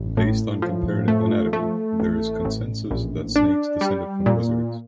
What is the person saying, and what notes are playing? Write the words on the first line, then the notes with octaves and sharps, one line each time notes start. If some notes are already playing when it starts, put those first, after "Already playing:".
Based on comparative anatomy, there is consensus that snakes descended from lizards.
Already playing: A1
A2
F3
A3
A3
A1
A1
A#1
D4
G3
A#2